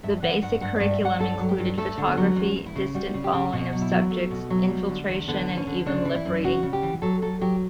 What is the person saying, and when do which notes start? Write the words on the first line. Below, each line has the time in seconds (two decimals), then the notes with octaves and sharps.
The basic curriculum included photography, distant following of subjects, infiltration, and even lip reading.
0.03 G2 E5
0.22 E3 F#5
0.42 G2 F#5
0.61 G2 F#5
0.76 G2 D5
0.91 E5
1.00 G2 F#5
1.19 G2 A4
1.39 F#3
1.49 G4
1.58 G2
1.78 A3 A4
1.98 D3
2.07 B3
2.17 F#3
2.36 E2 C#4
2.56 E2
2.66 E4
2.76 C#3
2.95 G3 F#4
3.14 C#3
3.24 G4
3.33 C#3
3.53 B2 F#4
3.73 F#3
3.82 E4
3.91 F#3
4.11 A3
4.31 B2
4.50 F#3
4.70 G3
4.89 D3
5.09 E2
5.28 D3 B3
5.47 E2
5.57 C#4
5.67 D3
5.86 C#3 D4
6.05 E3
6.15 E4
6.25 F#2
6.44 C#3 F#4
6.63 C#3
6.73 G4
6.82 E3
7.02 F#3 A4
7.22 F#3 A4
7.41 F#3 G4